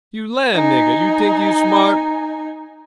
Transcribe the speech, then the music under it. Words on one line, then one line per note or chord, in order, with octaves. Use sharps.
"You lan' niggah, you tink you smart!"
D#4 G#5